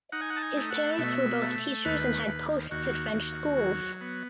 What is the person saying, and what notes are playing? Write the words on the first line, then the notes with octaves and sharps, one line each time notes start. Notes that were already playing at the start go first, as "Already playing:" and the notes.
His parents were both teachers and had posts at French schools.
D#4 F#5
G#5
F#5
A5
G#5
A3
F#5
B2 E5
A3
D#2 B4
D#2
D#2 F#4
D#2
F#3
B3